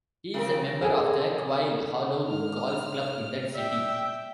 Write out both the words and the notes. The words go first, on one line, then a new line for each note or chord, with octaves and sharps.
He is a member of the Quail Hollow Golf Club in that city.
C#3 C4 A#4
G#4 A4 G#5
G#2 D#3 F6
D5 E5 G5